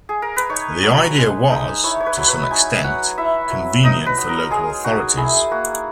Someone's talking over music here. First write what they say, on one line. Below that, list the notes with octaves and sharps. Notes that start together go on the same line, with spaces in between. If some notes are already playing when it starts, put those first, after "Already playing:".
This idea was, to some extent, convenient for local authorities.
Already playing: F#4
G#4
A#4
B4
D#4 C#5
F#3
G#3
D#4
E4 C#5
C#5
B4
F#3 C#5
B4
D#4 G#5
F#3 F#5
E4 E5
F#3
D#4 D#5
B4
F#3
A#4
G#3 G#4
D#4 F#4
E4 G#4
A#3 F#4